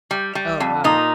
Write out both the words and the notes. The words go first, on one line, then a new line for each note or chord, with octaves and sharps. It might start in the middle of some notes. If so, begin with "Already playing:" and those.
Oh, wow.
G3
G3
F2
A#2 D#4